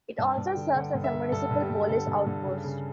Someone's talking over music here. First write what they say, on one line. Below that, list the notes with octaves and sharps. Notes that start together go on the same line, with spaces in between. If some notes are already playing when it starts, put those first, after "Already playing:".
It also serves as a Municipal Police Outpost.
G2 A5
G2
G5
D3
D3 F#5
G2
E5
D3
G2 A4
G2
G4
G2
D3 A4
G2
G2
C#3
C#3